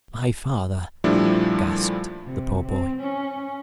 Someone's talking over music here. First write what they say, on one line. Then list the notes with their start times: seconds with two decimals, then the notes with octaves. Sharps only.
"My father," gasped the poor boy.
1.04 A#2 F3 G3 A3 D4 E4
2.25 C3
2.67 C4
2.99 C#4